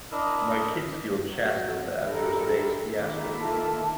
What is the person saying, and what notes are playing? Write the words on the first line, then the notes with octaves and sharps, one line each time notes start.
My kids feel chastened after today's fiasco.
D4 E4 A#4 D#5
F#3
B2 D4 E4 G4 A4 A#4
F2 D3 D#3 G#3 A#3 E4
F4 A4 A5